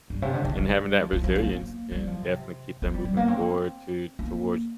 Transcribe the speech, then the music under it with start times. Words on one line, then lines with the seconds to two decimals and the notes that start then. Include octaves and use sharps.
Mhm. And having that resilience can definitely keep them moving forward to towards
0.10 G2
0.22 C3
0.34 D3
0.45 D3
0.57 G3
1.01 F3
1.13 F3
1.24 F3
1.36 A#3
1.47 A#3
1.92 G3
2.07 F3
2.23 C3
2.82 C4
2.94 G3
3.05 G3
3.17 A#3
3.28 C4
4.19 A#3